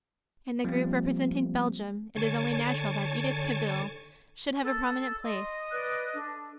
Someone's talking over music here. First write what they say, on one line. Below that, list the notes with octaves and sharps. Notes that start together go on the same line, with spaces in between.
In the group representing Belgium it is only natural that Edith Cavil should have a prominent place.
F3 G3 A#3 C4
D3 C#5 G#5 A5 C#6 A6
A4
D#5 C6
B4 D5 F#6
D4 A4